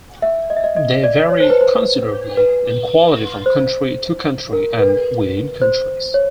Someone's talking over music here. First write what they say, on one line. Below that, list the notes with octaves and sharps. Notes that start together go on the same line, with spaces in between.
They vary considerably in quality from country to country and within countries.
E5
D#5
E5
D#5
D#5
D5
C#5
C5
B4
C5
B4
C5
A#4
B4
C5
C#5